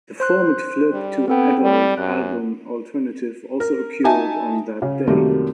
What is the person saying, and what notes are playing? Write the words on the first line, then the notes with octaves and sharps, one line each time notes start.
The format flip to adult album alternative also occurred on that date.
C5 C6 F#6
G3
B3 C4 A4 G5
G3
F#2 F#6
A#4
D#4 F#4 E5 G#5 A5
C#3
F#2 C3 D#3 G3 A3 A#3